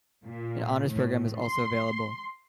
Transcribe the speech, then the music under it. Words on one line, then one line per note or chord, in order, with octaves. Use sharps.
An Honors Program is also available.
A#2
A2
C6